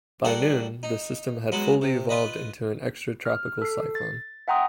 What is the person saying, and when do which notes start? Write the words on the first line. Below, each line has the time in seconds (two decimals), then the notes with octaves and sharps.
By noon, the system had fully evolved into an extratropical cyclone.
0.25 G3 F#4 A4 A#4
0.83 D#4
1.52 F#3 G#3 B3 F#4
1.82 C3
2.09 F4 B4 D#5
3.25 F6
3.62 A4 C7
3.95 A6
4.48 E5 F#5 G5 A#5 C6 D#6